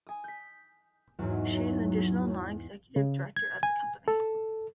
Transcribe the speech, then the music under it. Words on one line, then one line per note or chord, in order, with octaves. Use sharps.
She is an additional non-executive director of the company.
G#5 D#6
G6 B6
E2 G#2 F#3
C#3
G#6
G#5
A4